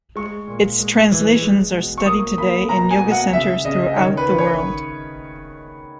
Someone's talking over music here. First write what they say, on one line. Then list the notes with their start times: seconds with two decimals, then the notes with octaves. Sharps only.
Its translations are studied today in Yoga Centers throughout the world.
0.16 G#3 C#6
0.48 A#2
0.79 G#3
1.12 E3
1.42 G#3
1.74 B2
1.98 C#6
2.06 A#3 D#6
2.38 A#3 B5
2.69 B2 A#5
2.91 G#5
3.01 B2
3.12 F#5
3.33 C#3 E5
3.65 C#3 D#5
3.96 D#3 C#5
4.17 B4
4.28 D#3
4.38 C#5